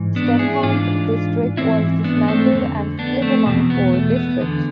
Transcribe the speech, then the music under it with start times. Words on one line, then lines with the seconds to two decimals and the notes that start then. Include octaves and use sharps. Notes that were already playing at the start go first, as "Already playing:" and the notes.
Stenholm's district was dismantled and split among four districts.
Already playing: G#2 E3
0.16 B3 D4
0.39 E4 G#4
0.63 G#2 E3 D4 F4
1.57 G#2 E3 C4 E4
2.04 B3 D4
2.28 A3 C4
2.52 F2 D3
2.99 B3 D4
3.22 A3 C4
3.46 E2 B2
3.70 B3
3.93 A3
4.16 B3
4.40 E2 D3